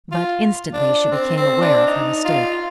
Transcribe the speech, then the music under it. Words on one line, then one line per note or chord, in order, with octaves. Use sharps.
But instantly she became aware of her mistake.
F4
D4
C4
C4
D4
D#4
F4